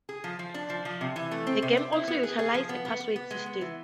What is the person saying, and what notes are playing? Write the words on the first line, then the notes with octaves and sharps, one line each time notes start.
The game also utilizes a password system.
G#4
F3
F3
D4
F3
F3
C3
E3
A3
C4
C3
C4
E4
B3
G#4
G#4
F3
B3
B3
B3
B3
G#3
B3
E3